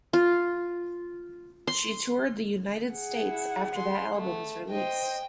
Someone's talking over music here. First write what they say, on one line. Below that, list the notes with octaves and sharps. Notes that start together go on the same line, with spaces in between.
She toured the United States after that album's release.
F4
C6
G#4 F#5
E4
C6
A3
C5 D#5 G5